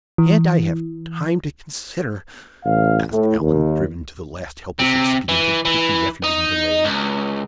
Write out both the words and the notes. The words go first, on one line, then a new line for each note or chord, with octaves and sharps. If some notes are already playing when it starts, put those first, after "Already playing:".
"Can't I have time to consider?" asked Allan, driven to the last helpless expedient of taking refuge in delay.
E3
A1 F5
A2
D#2
C3
E3
E3
D#4
C#2